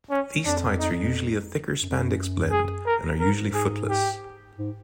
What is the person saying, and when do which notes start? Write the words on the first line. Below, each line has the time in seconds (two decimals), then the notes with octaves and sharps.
These tights are usually a thicker spandex-blend, and are usually footless.
0.10 C#4
0.45 F2 D4
0.79 D#4
1.82 F#2
1.89 F2
1.97 F#2
2.51 G#4
2.86 A#4
3.20 G#2 A#4
3.54 G#4
3.89 G4
4.58 G#2